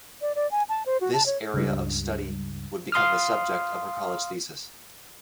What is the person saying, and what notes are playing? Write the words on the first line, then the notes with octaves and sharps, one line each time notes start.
This area of study would become the subject of her college thesis.
D5
D5
G#5
A5
C5
F#4
A5
C#5
C#2 G2
F5 C6 D#6 F6